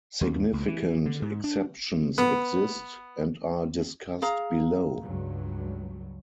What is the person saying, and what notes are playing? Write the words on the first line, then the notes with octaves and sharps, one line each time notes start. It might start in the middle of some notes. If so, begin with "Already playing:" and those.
Significant exceptions exist, and are discussed below.
D#2
C#2
E3
D3
G#2
D4
B3
G#4 F5 A#5
C#2 G2 F#3